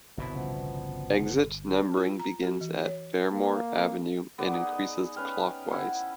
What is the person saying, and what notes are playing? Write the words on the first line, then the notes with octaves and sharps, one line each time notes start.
Exit numbering begins at Fermor Avenue and increases clockwise.
G1 C2 B2 E4
C#3 F3 B3
F4
A#5
F#4
E3
C#5
A#3
B3 D5 F#5
D#4 G#4
D#5
C#4 B4 F5 G5
C#4 E4 F#5